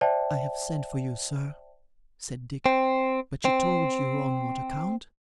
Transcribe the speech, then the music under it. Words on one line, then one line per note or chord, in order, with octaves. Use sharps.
'I have sent for you, Sir,' said Dick--'but she told you on what account?'
C5 D5 E5 G5 A5
C4
C4